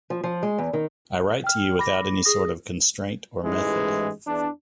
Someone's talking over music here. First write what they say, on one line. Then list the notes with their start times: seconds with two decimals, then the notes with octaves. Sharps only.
I write to you without any sort of constraint or method.
0.10 F3
0.24 F3
0.43 G#3
0.58 E2
0.73 D#3
1.44 G5 F6
1.79 B5 D6 A#6
2.25 G#4 D#6 A#6
3.43 A1 G#2 E3 G#3
4.26 E2 D4